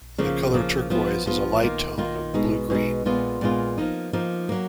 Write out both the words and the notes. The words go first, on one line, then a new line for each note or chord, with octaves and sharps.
The color "turquoise" is a light tone of blue-green.
C#3 F3 A#3
C#3 F3 A#3
F3 B3 F4
F3 B3 F4
D#3 A#3 F4
D#3 A#3 F4
B2 G#3 D#4
B2 G#3 D#4
A#2 G#3 B3 F4
A#2 G#3 B3 F4
F3 A#3 D#4
F3 A#3 D#4
F#3 A#3